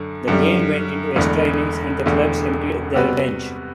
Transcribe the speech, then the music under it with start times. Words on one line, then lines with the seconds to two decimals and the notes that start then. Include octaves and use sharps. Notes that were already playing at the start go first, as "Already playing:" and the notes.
The game went into extra innings and the Cubs emptied their bench.
Already playing: F#2 D3
0.28 F#2 D3 G3
1.16 E1 E2 D3 A3
2.06 E1 E2 D3 A3
2.94 C3 G3 B3 F#4 B4